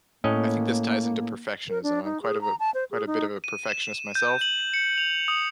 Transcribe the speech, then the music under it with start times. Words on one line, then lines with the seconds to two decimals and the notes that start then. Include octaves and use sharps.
I think this ties into perfectionism. I'm quite of a quite a bit of a perfectionist myself
0.24 A2 A#3 C#4 D#5
1.69 A#4
1.83 D4
2.04 D#4
2.22 G#4
2.41 A#5
2.59 A5
2.74 C5
2.91 G#4
3.07 D#4
3.44 D#7
3.69 E7
3.93 E7
4.15 G6
4.41 F#7
4.74 C#7
4.98 F7
5.28 D#6